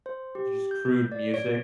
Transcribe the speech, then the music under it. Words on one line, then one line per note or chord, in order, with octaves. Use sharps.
just crude music
C5
G4
G6
D5
C#5